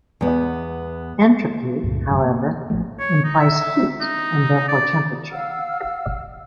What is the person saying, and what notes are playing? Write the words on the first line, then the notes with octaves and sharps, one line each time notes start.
Entropy, however, implies heat and therefore temperature.
E2 B3
C#2 G2 A#2 D3
A1 F#2 D#3
A#3
A1 C#3 F3 A3
C#5
D#4
E5
D#4
D5
F5 F#5 E6 F6